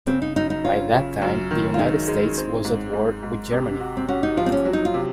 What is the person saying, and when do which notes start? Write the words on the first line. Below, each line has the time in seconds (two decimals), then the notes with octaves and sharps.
By that time the United States was at war with Germany.
0.07 C#3 C4
0.22 D#4
0.36 F#2 D#4
0.50 D#4
0.64 C#4 F4
0.94 C#3
1.22 F#2
1.51 D#3
1.74 F4
1.79 G#3 D#4
2.08 G#3
2.37 C4
2.65 G#2
2.93 G#2
3.23 G#2
3.51 C3
3.80 F#4
3.97 C4
4.08 C#4 F#4
4.23 D#4
4.37 F3 F4
4.46 C4
4.52 C#4
4.65 F#3
4.73 D#4
4.85 F4
4.94 C3